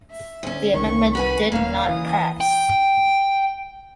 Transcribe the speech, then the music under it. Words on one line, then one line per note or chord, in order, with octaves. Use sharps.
The amendment did not pass.
E5
D2 C#4
C2 D#3 C#6
F#4 B4 G#5 B5
D#1 C#3 A#3 F5
E3 D#6
G5